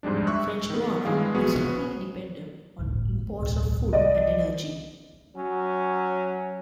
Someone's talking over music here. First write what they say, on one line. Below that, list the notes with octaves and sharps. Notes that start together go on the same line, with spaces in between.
French Guiana is heavily dependent on imports of food and energy.
F2 G#2 G3 G#3 D4
E5 C#6 E6 F#6
D#3 B3
G2 E3 G#3 G#4 F5
A#1 B3 F#4 G#4
G1 C#2 A2
D1 B1
C2 G3 D5 D#5
F#3 C#4